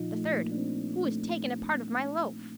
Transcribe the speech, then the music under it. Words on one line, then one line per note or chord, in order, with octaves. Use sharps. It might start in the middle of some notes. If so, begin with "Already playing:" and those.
The third, "Who has taken part of my loaf?"
Already playing: A#2 F3 D#4 F4
A3
A#3
D4
C4
A3